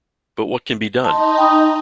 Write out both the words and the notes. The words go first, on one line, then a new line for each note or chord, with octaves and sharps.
But what can be done?
D#4 A5 C6
G5 B5 D#6